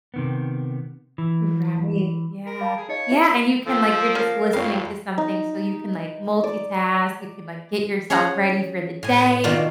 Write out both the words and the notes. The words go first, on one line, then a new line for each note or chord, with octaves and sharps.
Right, yeah yeah, and you can like, you're just listening to something, so, you can, like, multitask, you can, like, get yourself ready for the day.
C3 D#3 B3
E3
A#4
F5 A5 B5
G#4
D#4 C#5 D#5
E4 G4 E5
F3 A4
A#3 C#4 A#4 F5
G#1 F2 C4 C#5 F5
D#4
D5
C#4 G#4 C#5 F#5 A#5
A2 G#5
B2 D#3 A3 A#3 D4 F4